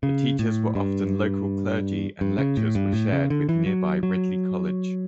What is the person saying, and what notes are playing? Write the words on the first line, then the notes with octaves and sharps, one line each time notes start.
The teachers were often local clergy and lectures were shared with nearby Ridley College.
C#3
A2
G2
G2
C#3
A2
G2
A2
C#3
D3
E3
F#3
F#3